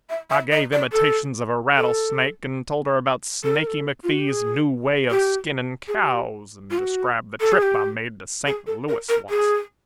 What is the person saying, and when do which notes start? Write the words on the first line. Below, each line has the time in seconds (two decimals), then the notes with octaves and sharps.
I gave imitations of a rattlesnake, and told her about Snaky McFee's new way of skinning cows, and described the trip I made to Saint Louis once.
0.10 E5
0.30 E5
0.51 D#5
0.72 D5
0.92 A4
1.76 A4
3.44 A4
3.55 A#4
3.67 A4
4.04 F4
4.11 F#4
4.19 G4
4.28 G#4
5.11 G4
5.88 G#4
5.95 G4
6.70 F4
6.78 F#4
7.40 A4
7.52 G#4
7.62 G4
8.47 G#4
8.67 A4
8.88 A#4
9.09 A#4
9.30 G#4